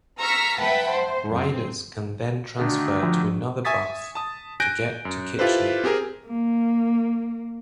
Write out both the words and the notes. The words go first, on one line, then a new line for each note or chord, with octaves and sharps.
Riders can then transfer to another bus to get to Kitchener.
A#5 C#6 E6 F6 B6
B4 E5 F#5 G5 A5 B5
C5
F#2 C4
D3 D#3 A3 D4 F#4 D#6
F3
E5 G#5 C#6 D#6 A6 B6
A5 D#6
G#5 F#6 G6 A#6 D7
F#2
E4 F4 G4 A4 B4 C5
C4 G4 G#4 A#4
A#3